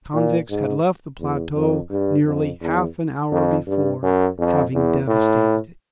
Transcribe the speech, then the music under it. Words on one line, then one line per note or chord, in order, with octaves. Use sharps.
The convicts had left the plateau nearly half-an-hour before, having devastated it!
A#2
G#2
E2
F2
G2
F2
E2
F2
G2
F#2
F2
E2
A2